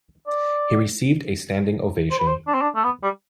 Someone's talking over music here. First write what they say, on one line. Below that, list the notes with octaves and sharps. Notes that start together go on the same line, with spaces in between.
He received a standing ovation.
D5
C5
B4
C5
D4
C4
D4
A3
B3
G3